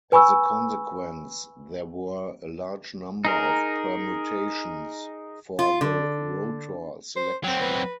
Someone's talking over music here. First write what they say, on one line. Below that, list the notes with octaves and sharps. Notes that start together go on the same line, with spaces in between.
As a consequence, there were a large number of permutations for the rotor selection.
B4 G#5 B5 C#6 E6
D#4 G#4 A#4
F4
D3
C5
F#3 C4 G5
B4